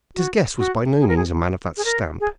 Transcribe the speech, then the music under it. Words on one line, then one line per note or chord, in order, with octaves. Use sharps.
But his guest was by no means a man of that stamp.
F#4
F#4
G#4
A#4
G#4
G#4
A#4
G#4